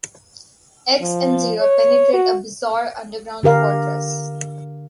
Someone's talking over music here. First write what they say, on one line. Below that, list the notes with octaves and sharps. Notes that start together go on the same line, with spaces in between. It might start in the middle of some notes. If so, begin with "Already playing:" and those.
X and Zero penetrate a bizarre underground fortress.
F3
C#5
F#4
D3 G4 A#4 F5